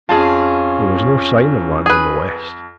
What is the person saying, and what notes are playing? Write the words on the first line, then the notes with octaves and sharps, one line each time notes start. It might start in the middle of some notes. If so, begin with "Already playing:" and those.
There was no sign of land in the west.
F2 C#4 F4 G#4 A5
G#4 B4